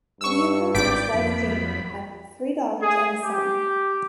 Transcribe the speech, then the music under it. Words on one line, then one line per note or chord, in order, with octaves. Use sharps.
Leopold and his wife Jamie have three daughters and a son.
G2 C#6 E6
G#1 D5 G5 D6 B6 D7
F2 A#3 B5
G#4
G4